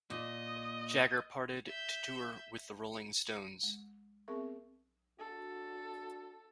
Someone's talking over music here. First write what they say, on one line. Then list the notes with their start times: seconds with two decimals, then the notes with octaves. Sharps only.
Jagger parted to tour with the Rolling Stones.
0.10 A#2 D#5
1.67 E5 G6
3.63 G#3
4.28 B3 C4 G#4 A#4 E5 C#6
5.19 D4 F#4 A4